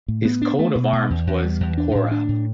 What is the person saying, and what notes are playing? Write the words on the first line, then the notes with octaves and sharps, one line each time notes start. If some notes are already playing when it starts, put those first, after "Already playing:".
His coat of arms was "Korab".
A2
B3
D4
A3
B2
B2
E2
E2
G3
E2
D4
A2
D4
A2